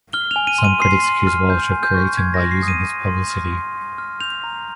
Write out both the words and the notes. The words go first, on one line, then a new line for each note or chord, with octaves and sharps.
Some critics accuse Walsh of creating by using his publicity.
F6 G7
G#5 F7
D#7
C6
D#7
C6 C7
C6
F6
G6
G#5
G6
C#6
G6 G#6
A#6
C6
C7
D#6
D#7
C6
C6
F6
C6
C6
F6
G6 F7
A#5